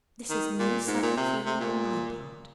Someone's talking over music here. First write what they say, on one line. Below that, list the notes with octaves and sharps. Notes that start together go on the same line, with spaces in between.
This is no sudden feeling on my part.
D#3
A#2
G#2
A#2
C3
C3
A#2